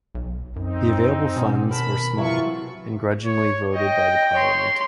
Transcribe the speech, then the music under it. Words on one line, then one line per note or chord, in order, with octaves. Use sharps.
The available funds were small, and grudgingly voted by the parliament.
B1
F#2 C4 D#4
B2 B3 C#4
D#2 A#4 A5 B5
C3 E3 F#3 E4 F4 C#6
C#5
D#5 G5 A#6
C#5 C6